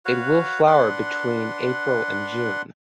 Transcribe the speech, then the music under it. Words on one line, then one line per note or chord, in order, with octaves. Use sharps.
It will flower between April and June.
F#4 B4 C#5 F5
D4 B4 F#5 C6